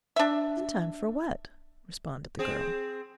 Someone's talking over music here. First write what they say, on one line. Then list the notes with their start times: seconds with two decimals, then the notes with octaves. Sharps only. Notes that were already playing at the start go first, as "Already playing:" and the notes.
"In time for what?" responded the girl.
0.16 D4 E5
2.39 C4 G#4